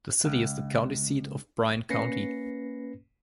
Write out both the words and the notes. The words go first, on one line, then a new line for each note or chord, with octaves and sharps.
The city is the county seat of Bryan County.
C#2
A#3 C#4 B4 A#6 C7 C#7